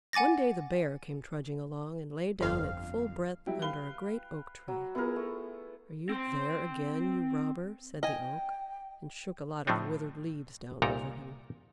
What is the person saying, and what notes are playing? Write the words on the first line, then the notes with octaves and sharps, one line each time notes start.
One day the Bear came trudging along and lay down at full breadth under a great Oak Tree, "Are you there again, you robber?" said the Oak, and shook a lot of withered leaves down over him.
F#5 G#5 D6 A6 A#6
G1 F2 F5
F#3 G3 E4 G5
B4 F5 G7
F#3
B3 E4 F4 G#4 A#4
A3
C4 C6
D#5 G5 G#5
A2 F3 A3 C4 D4 D#4
C2 A#2 D#4 A4 A#4 A#5